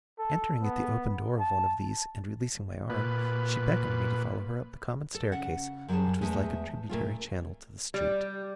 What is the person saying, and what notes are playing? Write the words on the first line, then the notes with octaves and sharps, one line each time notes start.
Entering at the open door of one of these, and releasing my arm, she beckoned me to follow her up the common staircase, which was like a tributary channel to the street.
A4
B3
A5
A#2 B4
A4
C#3 F#4 F#5
F#2 F#3 G3 G#4 A5
E2 G#3 A3 E5
A#2 A3 F4
G3